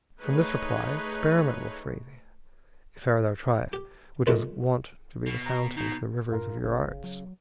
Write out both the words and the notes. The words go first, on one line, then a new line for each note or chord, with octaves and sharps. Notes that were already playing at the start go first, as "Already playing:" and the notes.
From this reply experiment will free thee If e'er thou try it, which is wont to be The fountain to the rivers of your arts.
A3 D#4 G#4 B4 C#5
G4
B1 F2 A#2 C#3 G#3 A3
B2
A#5
B2 D#4
G2 F4 A#4 F5
G1 C#3
F#3